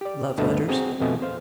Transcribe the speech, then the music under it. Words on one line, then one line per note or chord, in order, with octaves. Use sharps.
"Love letters."
G4 D5
D2 G2 A3 B4 D#5 A5
C4 F#4 G#4 A#5
F2 B2 A3 D#5 G#5
C5 F5